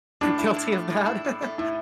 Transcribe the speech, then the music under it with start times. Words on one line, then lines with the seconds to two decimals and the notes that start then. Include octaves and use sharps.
guilty of that.
0.21 A2 D4
0.38 E4
0.56 A2
0.72 A3
0.90 A2
1.07 E4
1.24 A2
1.42 A3
1.58 A2 E4